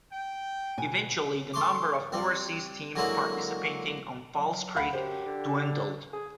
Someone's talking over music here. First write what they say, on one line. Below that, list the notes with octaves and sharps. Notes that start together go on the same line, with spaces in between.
Eventually, the number of overseas teams participating on False Creek dwindled.
G5
B2 G#5
A3 C6 D6
G3 C4
D3 F#3 G#3 A#3 E4 F#4
F#3
D2 F5 F#5 B5
F#2 G4 C5
D3
G#4